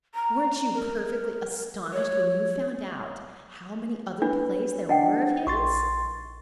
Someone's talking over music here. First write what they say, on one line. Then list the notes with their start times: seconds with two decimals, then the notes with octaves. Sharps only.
Weren't you perfectly astonished when you found out how many other plays there were of his?
0.15 A#5
0.74 A#4
1.93 C#5
4.22 D4 B4
4.89 D4 D#5 F#5 G5
5.47 A#1 C6 C#6 A6